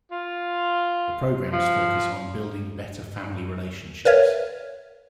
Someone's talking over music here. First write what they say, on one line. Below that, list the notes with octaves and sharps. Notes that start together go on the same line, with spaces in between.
The programs focus on building better family relationships.
F4
F3
A#4 B4 C#5 E5